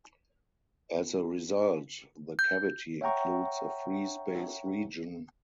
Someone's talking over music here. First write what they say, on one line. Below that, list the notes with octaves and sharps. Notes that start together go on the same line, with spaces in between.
As a result, the cavity includes a free-space region.
G6
C#5 E5 F#5 G5 A#5 C#6